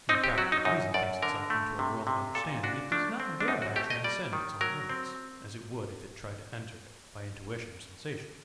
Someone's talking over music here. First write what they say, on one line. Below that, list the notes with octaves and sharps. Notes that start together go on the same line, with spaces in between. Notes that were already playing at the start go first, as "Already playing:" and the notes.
When practical reason thinks itself into a world of understanding, it does not thereby transcend its own limits, as it would if it tried to enter it by intuition or sensation.
C4 D#4
G4
F#3 F#4
D#4
F#2 D#4
F#2 D5
D3 A#4
A3
C3
C3
A#2 A4
D4 F#4
A3 D4
C4
D4
F#2 D#4
F#4
A3 G4
D#5
G3 D5
D#3
F#3 A#4
C4